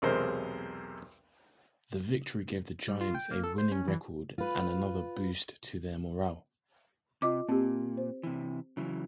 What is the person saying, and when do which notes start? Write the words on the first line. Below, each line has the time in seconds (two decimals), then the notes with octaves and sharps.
The victory gave the Giants a winning record and another boost to their morale.
0.02 B1 E2 C3 G#3 A#4 C5
2.88 G3
3.01 F4
3.15 G5
3.31 A#3
3.44 A4
3.58 C5
3.72 C#4
3.88 E3
4.38 F4 B4
7.22 C3 F4 D#5 D6
7.49 A#2 C4 G4
7.97 C5
8.23 C3 E3
8.77 C#3 E3 F#3